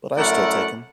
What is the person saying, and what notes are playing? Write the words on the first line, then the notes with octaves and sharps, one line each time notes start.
But I still take 'em.
F#2 A3 E4 A#4 D5 F#5